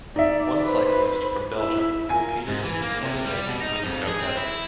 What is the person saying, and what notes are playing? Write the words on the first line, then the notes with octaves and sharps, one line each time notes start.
One cyclist from Belgium competed in one event, winning no medals.
D#4 D5 E5
B4 C5
E4 E5
F4 A#4 G#5
G#2
E3
A#3
C3
G3
B2
D#4
F2
G#4
C4
E4